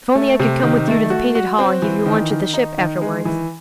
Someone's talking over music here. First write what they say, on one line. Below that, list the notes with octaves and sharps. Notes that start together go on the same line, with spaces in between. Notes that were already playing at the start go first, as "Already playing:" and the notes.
If only I could come with you to the Painted Hall and give you lunch at the "Ship" afterwards!
A3
C3
D#3
A3
F#4
F#4
C4
E3
D#3
D#3
D#4
D#3
G#3
E3